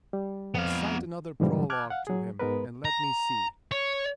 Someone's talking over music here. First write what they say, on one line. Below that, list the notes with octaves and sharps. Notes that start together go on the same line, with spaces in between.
Recite another prologue to him and let me see.
G3
F2 B3 F5
G#2 B2 D3 E3 F3 G3
A5 D6 F6 F#6 G#6
F5 F#5
F#3 G#4
G#2 G#3 B3 A#4 B4
A#5
C#5